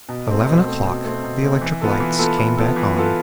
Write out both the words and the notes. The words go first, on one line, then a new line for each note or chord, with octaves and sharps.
At eleven o'clock the electric lights came back on.
B2
A3 C4
B2
A3 C4
B2
A3 C4
B2
A3 C4
E3
B3 F4 A4
E3
B3 F4 A4
E3
B3 F4 A4
E3
B3 F4 A4